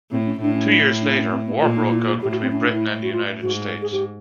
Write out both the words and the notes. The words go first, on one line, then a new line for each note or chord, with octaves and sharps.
Two years later, war broke out between Britain and the United States.
A2 C4
C#4
A2 D4
C#4
D4
D4
C4
C#4
C4
B3
A#2 F4
D#4
E4
F4
A2 G4
F#4
C4
C#4
D4
E4
F#4
F4
G#2 F#4
G#4
G4